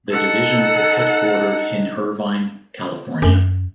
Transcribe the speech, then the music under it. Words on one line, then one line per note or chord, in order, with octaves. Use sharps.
The division is headquartered in Irvine, California.
D#4 A4 F#5
F#2